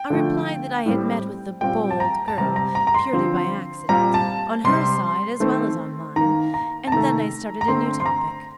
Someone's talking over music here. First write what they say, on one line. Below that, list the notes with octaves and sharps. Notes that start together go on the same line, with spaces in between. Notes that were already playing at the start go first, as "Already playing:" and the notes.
I replied that I had met with the "bold girl" purely by accident, on her side as well as on mine; and then I started a new topic.
Already playing: G5
D3 F3 A3
A2 G3 C4
A#2 G3 C4 G5
A5
A#5
A5
C3 G3 C4 A#5
A#5
A#5
A#5
C6
D3 F3 C4
A#2 G3 C4 A#5
A5
C3 G3 C4 C6
D#3 A3 C4
D#3 A#3 A#5
A#5
A5
C3 D#3 A3 A#5
A#5
D3 A3 C4 C6
C6
A#5